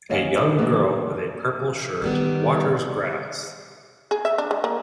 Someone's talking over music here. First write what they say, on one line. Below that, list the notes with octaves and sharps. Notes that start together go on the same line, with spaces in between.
A young girl with a purple shirt, waters grass.
D#2 C#5 D#5 F5 F#5 G#5
D4 G4 B4
E3 A#3 B3 D4
D#3 G3 B3
G#4
E5
D4
G#3
A#3